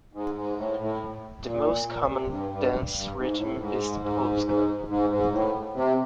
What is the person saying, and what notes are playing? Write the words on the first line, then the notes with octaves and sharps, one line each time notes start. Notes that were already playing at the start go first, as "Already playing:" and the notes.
The most common dance rhythm is the polska.
G#2
G#2
A2
A2
A#2
A#2
C3
G2
G2
G2
G#2
A2
G#2
G#2
G#2
G#2
G#2
A2
C3